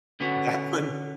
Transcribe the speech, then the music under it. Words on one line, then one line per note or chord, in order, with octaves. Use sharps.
That one
D3 B3 C#4 F#4